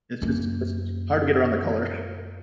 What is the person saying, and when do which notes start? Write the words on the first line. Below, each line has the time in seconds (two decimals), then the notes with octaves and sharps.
It's just it's hard to get around the color.
0.22 F#2 A#3